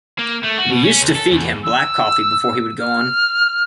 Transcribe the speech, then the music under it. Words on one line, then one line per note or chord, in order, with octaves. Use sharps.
We used to feed him black coffee before he would go on.
A#3
A3
F#4
B2
C#4
C#2
A4
E2
E6
F6